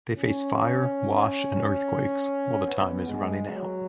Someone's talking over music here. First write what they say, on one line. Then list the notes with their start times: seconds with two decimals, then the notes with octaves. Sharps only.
They face fire, wash and earthquakes while the time is running out.
0.15 C#4
2.65 B3
3.08 G#3
3.49 F#3